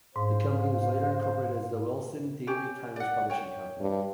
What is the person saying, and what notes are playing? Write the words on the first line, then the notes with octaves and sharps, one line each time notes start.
The company was later incorporated as The Wilson Daily Times Publishing Company.
G#2 C#4 D4 C5 F5
C#4 G4
D5 F#5
C#5 G5
G2